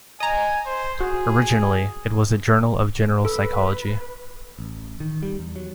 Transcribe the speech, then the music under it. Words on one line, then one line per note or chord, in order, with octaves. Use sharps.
Originally it was a journal of general psychology.
D#5 G#5 A#5
C5
F#4 G#4
A4 B4 E6
A1
D#3
G3
E2
F#3